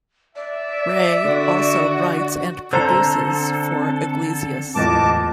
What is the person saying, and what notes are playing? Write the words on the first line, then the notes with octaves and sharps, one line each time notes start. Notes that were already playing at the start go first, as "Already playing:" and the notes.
Rey also writes and produces for Iglesias.
D5 E5
D3 F#4
D3 C4 A4 C5 A#5
D1 E2 F4 D#5 A5 D6